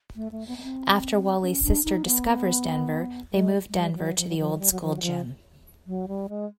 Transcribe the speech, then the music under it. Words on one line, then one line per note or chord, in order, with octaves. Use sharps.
After Wally's sister discovers Denver they move Denver to the old school gym.
A3
A3
B3
B3
C4
C#4
D4
D#4
B3
G#3
G#3
G3
F3
F#3
F3
F#3
F3
F#3
G3
F#3
F3
F#3
F3
F#3
G3
G#3